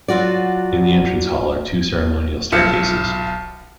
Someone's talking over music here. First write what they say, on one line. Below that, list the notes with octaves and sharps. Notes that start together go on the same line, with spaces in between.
In the Entrance Hall are two ceremonial staircases.
F#3 F4 F#4 D5
B1 F4 E5 C#7